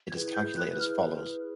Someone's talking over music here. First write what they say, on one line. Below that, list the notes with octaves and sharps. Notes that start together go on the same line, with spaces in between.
It is calculated as follows.
E4 G#4 B4 G#6
G6
F#6
F6